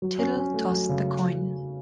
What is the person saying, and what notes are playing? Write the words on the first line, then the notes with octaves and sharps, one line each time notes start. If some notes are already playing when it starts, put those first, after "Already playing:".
Tittle tossed the coin.
F#3
C#4
C#4
A3
F#3
C#3